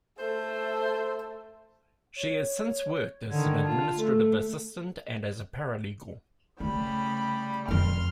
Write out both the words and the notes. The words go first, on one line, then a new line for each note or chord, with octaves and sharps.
She has since worked as an administrative assistant and as a paralegal.
A3 A4 C5
C#5
D3 D#3 G#6
F4 A5
A3 A4
C#3 G3 A3 B5
F2 F3 C6 F6